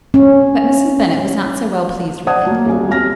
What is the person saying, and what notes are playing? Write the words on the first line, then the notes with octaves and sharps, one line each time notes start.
But Mrs. Bennet was not so well pleased with it.
C#4
C5 D5 F#5 A5 D#6 G#6
F#3 A#3
D#1 B1 G#5
C2 F#3 F6 A#6